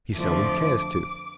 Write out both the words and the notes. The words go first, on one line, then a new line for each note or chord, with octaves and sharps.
He seldom cares to.
F2 D3 F3 A3 D6